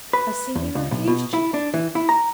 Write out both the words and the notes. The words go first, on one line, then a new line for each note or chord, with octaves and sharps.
"I see he refused you."
B4
E2
C#2
B1
B2
E4
D4
E3
E4
A#5